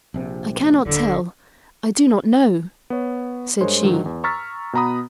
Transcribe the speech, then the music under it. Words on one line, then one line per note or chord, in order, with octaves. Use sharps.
"I cannot tell; I do not know," said she.
A#1 C3 C4
D#1 D3
B3 C#5
G2 G#3 A#4 C5 C#5 C6
G#2 D3 D#3 F3 F#3
E2
A#5 C#6 E6 F6 A6 B6
B2 B3 A#5 B5 D#6